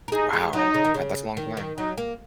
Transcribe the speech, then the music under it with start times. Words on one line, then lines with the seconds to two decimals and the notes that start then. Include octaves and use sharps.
Wow. That that's a long time.
0.08 A#4
0.12 D#4 G#4
0.33 G#3
0.53 F#3 D#4
0.74 C#3
0.85 D#3
0.94 C#3
1.37 D#3
1.57 D#3
1.77 F#3 D#4
1.98 A#3